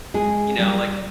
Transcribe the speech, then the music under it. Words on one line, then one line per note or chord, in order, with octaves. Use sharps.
you know, like,
G#3 G#4
G3 G4